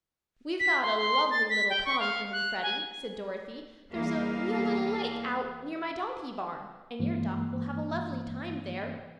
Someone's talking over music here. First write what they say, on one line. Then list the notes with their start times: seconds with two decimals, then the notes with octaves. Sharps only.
"We've got a lovely little pond for him, Freddie," said Dorothy. "There is a real little lake out near my donkey barn, and your duck will have a lovely time there."
0.60 B6
0.82 C6
0.97 C6
1.31 A6
1.50 B6
1.70 G5
1.85 C#6
1.99 F5
2.33 F#6
2.62 G#5
3.91 E2 E3 G3 A#3 G#4 F5
6.99 G2 E3 G#3 A#3